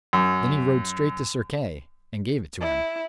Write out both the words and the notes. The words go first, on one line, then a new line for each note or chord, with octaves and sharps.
Then he rode straight to Sir Kay, and gave it to him.
F#2
E4